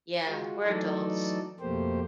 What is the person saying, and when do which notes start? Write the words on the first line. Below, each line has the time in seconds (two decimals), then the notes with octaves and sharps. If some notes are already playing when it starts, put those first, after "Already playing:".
Yeah, we're adults.
0.25 G#3 F4 F#4
0.63 E3 F#3 A3 D#4 A4 D5
1.60 F2 B2 A3 A#3 G4 C5